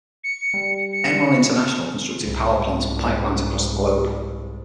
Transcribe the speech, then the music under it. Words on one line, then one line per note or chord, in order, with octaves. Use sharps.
Enron International constructed power plants and pipelines across the globe.
C#7
G3
C#7
C2 G#2